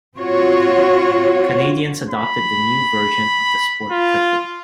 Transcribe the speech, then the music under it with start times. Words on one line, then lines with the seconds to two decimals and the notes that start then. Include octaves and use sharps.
Canadians adopted the new version of the sport quickly.
0.17 C4 F4 F#4 C#5
2.10 B5
3.91 F4